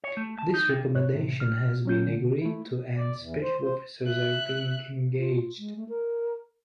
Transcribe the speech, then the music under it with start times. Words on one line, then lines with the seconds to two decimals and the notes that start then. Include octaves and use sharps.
This recommendation has been agreed to and special officers have been engaged.
0.04 C#5
0.17 A3
0.39 A5
0.54 D#4
0.69 C3
0.95 G#2 C#5 F#6
1.14 A2 C3
1.40 F6
1.85 F#3 C#4 G6
2.07 D3
2.41 A3 E4
2.97 D5
3.17 E2
3.41 C5
3.62 C5
4.04 E5 F#6
5.19 F4
5.59 G#3
5.76 A3
5.89 A#4